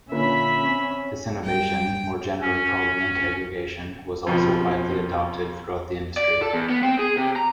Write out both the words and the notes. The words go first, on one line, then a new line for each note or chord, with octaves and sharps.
This innovation, more generally called link aggregation, was also widely adopted throughout the industry.
A#2 D3 C#4 B4 E5 B5
C4
F#2 G3 G5
C#4
F2 B2 F3
D5
A4
E2
B3
C4
G#4
C3
A#5